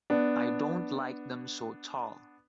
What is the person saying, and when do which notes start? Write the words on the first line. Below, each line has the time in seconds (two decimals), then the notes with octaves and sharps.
I don't like them so tall.
0.10 B3 D4